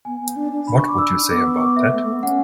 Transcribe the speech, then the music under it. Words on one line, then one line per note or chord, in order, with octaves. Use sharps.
What would you say about that?
B3 G#5
B3
D4
D4
B5
C#6
D6
E6
B3 D6
E6
C#6
D6
E5
A3
A3
B3
C#4 F#5